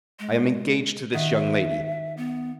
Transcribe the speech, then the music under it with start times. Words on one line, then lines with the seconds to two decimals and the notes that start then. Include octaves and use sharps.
I am engaged to this young lady.
0.19 G#3
1.14 D#3 E5 F#5 D#6
2.17 B3